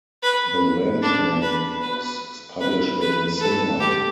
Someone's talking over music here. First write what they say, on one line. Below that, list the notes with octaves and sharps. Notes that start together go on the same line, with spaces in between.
The Ranchland News is published in Simla.
B4
D4
B4
B4
B4
B4
A4
G4